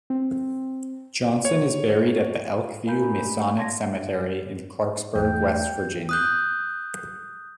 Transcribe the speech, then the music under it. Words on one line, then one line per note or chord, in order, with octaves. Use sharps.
Johnson is buried at the Elkview Masonic Cemetery in Clarksburg, West Virginia.
C4
C#5
A#4 F5 G#5 A#5 B5 G6
D4 G4 B5
A3
A5 C6 G#6 A#6
E2 A3 G5
D#6 F#6 G6